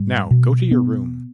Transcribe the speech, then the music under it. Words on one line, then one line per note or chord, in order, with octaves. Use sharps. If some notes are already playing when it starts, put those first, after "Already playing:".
Now, go to your room.
Already playing: G#2 G3
B2
B3